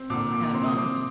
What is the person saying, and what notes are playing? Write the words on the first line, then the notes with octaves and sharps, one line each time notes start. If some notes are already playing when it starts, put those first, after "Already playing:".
I was kinda bummed.
Already playing: C4
A#2 D6
A#2 D6
C4 C6
D#6
C4 D6